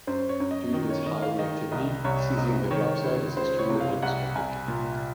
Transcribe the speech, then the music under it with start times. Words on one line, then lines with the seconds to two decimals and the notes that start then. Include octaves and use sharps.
Due to its high reactivity, caesium hydroxide is extremely hygroscopic.
0.07 F#2 C5
0.29 C#5
0.40 F#2
0.51 D#5
0.73 D#3 D#5
0.90 C#5
1.06 D#3 D#5
1.22 F5
1.38 D#3 D#5
1.72 C2 D#5
2.04 C2 C#5
2.38 C3 D#5
2.71 D#3 C#5
3.03 C#2
3.36 C#2 C5
3.59 C#5
3.70 C3
3.80 F5
4.02 C2 F#5
4.35 C2 G#5
4.68 A#2